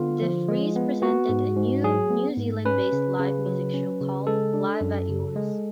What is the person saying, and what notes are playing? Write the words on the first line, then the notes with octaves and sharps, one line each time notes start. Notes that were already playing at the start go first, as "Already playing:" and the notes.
Defries presented a new New Zealand-based live music show called "Live at Yours".
Already playing: D3 B3 F4
F3
G#3
B3
B3 F#4
G#2
G#2
F#3 G#4
B3
G#2
C#4 B4
C#3
C#3
F#3
C#4
C#3
G#3 A4
D4
F#2
C#3
G#3